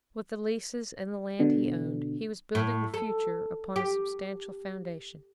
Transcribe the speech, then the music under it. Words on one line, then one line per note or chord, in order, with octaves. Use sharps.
With the leases, and the land he owned, he was building the future upon a substantial foundation.
B2 D3
A2
A4
G4